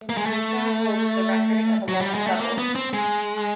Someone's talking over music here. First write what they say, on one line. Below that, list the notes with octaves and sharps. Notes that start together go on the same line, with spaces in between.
Benfica holds the record of eleven Doubles.
A#3
G#3
A3
F#3
G3
G#3
A3
A#3
B3
C4
G#3